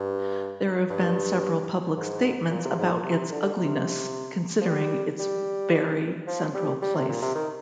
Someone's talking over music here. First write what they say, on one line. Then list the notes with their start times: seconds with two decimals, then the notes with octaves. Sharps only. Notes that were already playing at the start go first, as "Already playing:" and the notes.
There have been several public statements about its ugliness, considering its very central place.
Already playing: G2
0.90 G2
1.97 G#2
2.50 A#2
2.65 C3
2.79 G#2
2.91 A#2
3.05 C3
3.32 D3
3.58 C3
4.61 F3
4.66 G3
5.20 G3
6.27 F3
6.54 G3
6.82 G3
6.95 C3
7.09 A#2
7.22 C3
7.35 D#3